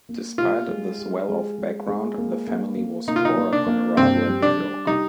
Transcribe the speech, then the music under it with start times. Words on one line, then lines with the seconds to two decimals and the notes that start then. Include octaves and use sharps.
Despite this well-off background, the family was poor upon arrival in New York.
0.09 A#3
0.38 F4 G4
0.68 G#3
0.98 G4
1.29 G#3
1.58 G#3
1.88 G#3
2.18 A#3
2.47 A#3
2.77 A#3
3.08 A#3 D#4
3.16 F4
3.25 D#4
3.37 A#3
3.53 D4
3.67 A#3
3.96 G2 C4
4.27 G3
4.42 D4
4.57 G3
4.87 G3 D#4